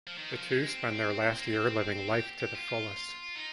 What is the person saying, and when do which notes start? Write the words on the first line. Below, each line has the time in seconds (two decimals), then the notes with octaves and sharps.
The two spend their last year living life to the fullest.
0.07 F3
0.18 D#3
0.33 F3
0.49 G#3
0.66 C4
1.39 A#3
1.45 C4
2.08 G4
2.40 G4
2.55 F4
3.35 D#4